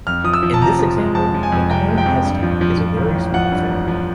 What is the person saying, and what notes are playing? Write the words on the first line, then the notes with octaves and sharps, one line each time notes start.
In this example the cone-headstock is a very small affair.
F2 F6
F3 D#6
E6
F3
A5
C3 A#5
F3
G#3
F2 A5
F3
G#5
F2
C3 G5
G#3
G5
F2
G2
F3
F3
F3
A1
A1
F3 F#5
G2
A1
F3